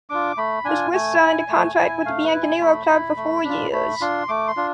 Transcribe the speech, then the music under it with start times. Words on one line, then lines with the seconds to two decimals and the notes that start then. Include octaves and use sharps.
The Swiss signed a contract with the “Bianconero” Club for four years.
0.10 D4 F4 D6
0.37 A3 B5
0.65 D4 F4 G#5
0.93 A3 G#5
1.22 E4
1.49 A3
1.77 E4
2.05 A3 F5
2.24 B4
2.34 E4
2.43 G#5
2.60 A3 B5
2.89 E4
3.16 A3
3.44 D4 F4
3.72 A3 B5
4.01 D4 F4 C6
4.28 A3 D6
4.47 C6
4.57 D4 F4